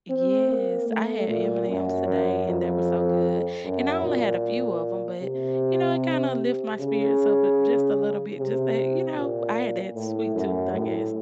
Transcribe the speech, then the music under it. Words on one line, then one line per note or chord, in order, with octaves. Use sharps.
Yes. I had M&M's today, and they were so good and I only had a few of 'em, but, you know, it, kinda, lift my spirits up, a, just, a little bit, just, that, you know, I had that sweet tooth, I guess.
C4
A#3
A3
A#2
F#2
F#2
F2
F#2
A#2
C3
C#3
C3
A#2
A2
F#2
A2